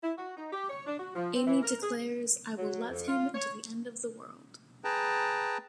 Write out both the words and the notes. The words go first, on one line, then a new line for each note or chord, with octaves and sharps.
Amy declares, I will love him until the end of the world.
E4
F#4
D#4
G4
C#5
D4
F#4
F3
C4
E3
A#4
G#4
F#3
F2
F4
C#5
G#4 B4 G5 A5 A#5